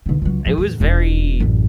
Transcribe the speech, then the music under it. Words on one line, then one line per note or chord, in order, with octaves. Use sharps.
It was very
B1 D3
C#2 F#3
G#2 F3
E2 A2
E1 F2
A1 F#2